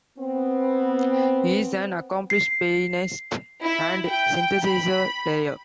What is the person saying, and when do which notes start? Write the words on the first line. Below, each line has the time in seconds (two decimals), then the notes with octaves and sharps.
He is an accomplished pianist and synthesizer player.
0.18 B3 C4
2.30 C7
3.63 E4
4.07 G5
4.65 B5